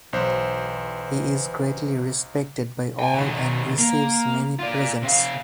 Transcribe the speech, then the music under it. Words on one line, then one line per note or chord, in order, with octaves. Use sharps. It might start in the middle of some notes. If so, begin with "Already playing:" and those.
He is greatly respected by all and receives many presents.
B1 E3 C5
G5 G#5
B2 D#3
A#3
F4 D5
C3 F5